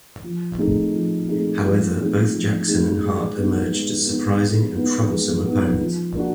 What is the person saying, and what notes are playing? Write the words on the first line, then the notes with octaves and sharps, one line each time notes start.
However, both Jackson and Hart emerged as surprising, and troublesome, opponents.
F3
A3 C4 D#4 G#4
F3
A3 C4 D#4 G#4
F3
A3 C4 D#4 G#4
F3
A3 C4 D#4 G#4
G#3
B3 D#4
G#3
B3 D#4
G#3
B3 D#4
G#3
B3 D#4
F3
A#3 D4 F#4